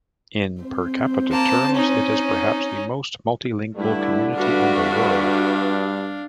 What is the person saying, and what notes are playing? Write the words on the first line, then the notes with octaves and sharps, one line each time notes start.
In per capita terms, it is perhaps the most multilingual community in the world.
C4 C5
A#3 A5
C#4 D#4
G2 D3 A3 E4
G2 D4 F#4 B4 E5 F5